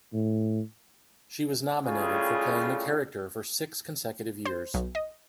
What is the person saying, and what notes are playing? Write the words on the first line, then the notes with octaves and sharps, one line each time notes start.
She was nominated for playing the character for six consecutive years.
A2
A2 C#3 G3 F4 G#4
C5
B1
D#5